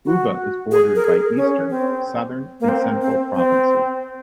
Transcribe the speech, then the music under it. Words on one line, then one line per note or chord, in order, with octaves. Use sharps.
Uva is bordered by Eastern, Southern and Central provinces.
F#4
G#4
A#4
G#4
C#4
C4
A#3
C4
C4
C4